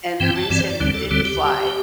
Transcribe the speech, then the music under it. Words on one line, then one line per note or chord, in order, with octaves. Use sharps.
and the reason we didn't fly
G2 E3 C4 G5
A5
G2 E3 C4 D5
C5
D5
D2 D3 G3 C4
A4
D2 D3 G3 C4 A4
G4